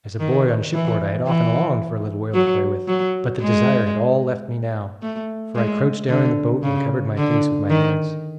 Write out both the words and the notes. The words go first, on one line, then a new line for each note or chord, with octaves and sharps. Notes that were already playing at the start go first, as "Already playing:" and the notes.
As a boy on shipboard I had often longed for a little whale to play with, but the desire had all left me now, for I crouched down in the boat and covered my face with my hands.
D#3
E3
E3
F#3
F#3
G#3
A3
G#3
D3
C#3
D3
D#3